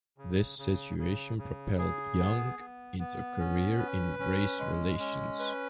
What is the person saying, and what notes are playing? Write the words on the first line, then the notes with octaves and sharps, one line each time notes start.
This situation propelled Young into a career in race relations.
C#3
C#3
C#3
C#3
G#4
B3
B3
B3
C#4
B4
C#4
G#3
C#4
B4